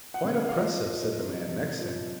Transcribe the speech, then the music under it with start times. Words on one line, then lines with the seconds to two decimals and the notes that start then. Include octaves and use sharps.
"Quite oppressive," said the man next him.
0.14 F#5
0.25 C#3
0.35 F5
0.49 F5
0.55 F3 D#5
0.86 F3
1.17 C3
1.47 C3
1.78 F3